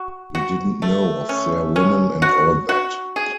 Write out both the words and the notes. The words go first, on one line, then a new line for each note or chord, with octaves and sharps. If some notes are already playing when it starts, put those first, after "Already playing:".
We didn’t know of their women and all that!
Already playing: F#4
F#4
A3
C#4
C#4
F#4
F#4
G#4